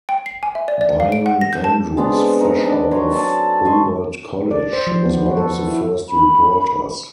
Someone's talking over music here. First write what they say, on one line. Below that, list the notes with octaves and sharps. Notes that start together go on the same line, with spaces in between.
Byron Andrews, fresh out of Hobart College, was one of the first reporters.
G5
C7
G#5
E5
D5
D5
F5
D7
F#5
A#6
G6
A5
G#3 B3 C4 D4
D#4 A#5
D4 D#5 B5 D6
F#3 C#5 A#5 C6
A4 D5 A5
D#5 C6 C#6
D5
C5
F3
B3
F#4
A4
E4
B5